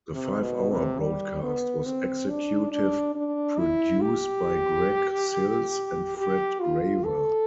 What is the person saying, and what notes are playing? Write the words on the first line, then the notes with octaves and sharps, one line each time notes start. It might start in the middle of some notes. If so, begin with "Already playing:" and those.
The five-hour broadcast was executive produced by Greg Sills and Fred Graver.
C3
B2
C3
G3
B3
C4
D4
D4
D4
E4
G4
G4
F4
A4